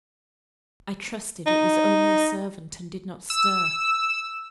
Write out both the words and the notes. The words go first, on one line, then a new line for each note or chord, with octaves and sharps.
I trusted it was only a servant, and did not stir.
D#4
E6